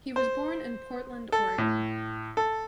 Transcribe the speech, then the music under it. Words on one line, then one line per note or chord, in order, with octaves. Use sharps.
He was born in Portland, Oregon.
C5
A4
A2
A4